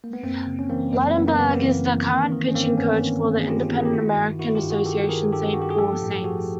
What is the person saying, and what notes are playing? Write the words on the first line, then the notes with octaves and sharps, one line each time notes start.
Ligtenberg is the current pitching coach for the independent American Association's Saint Paul Saints.
A#3
B3
F#2 A#3 C4
C#3
C#4
E3 A#3 C4
F#2 A#3
F#2 B3
A#3
C#3 B3
A#3 C4
E3
E3
D#3
D#3
C#4
G2 A#3 C4
G2 B3 C#4
D#3
G2
G#4
G2 F4 G4
D#3 A4
G#4
G4
D#3 E4 F#4
G2
D#3 E4 F#4
F4 G4
G2
F#4 G#4
D#3 G4 A4
D#3 G#4 A#4
G2 G4 A4
G2 F#4
G4
G#4
F3 G4 A4
A2
F3 F#4 G#4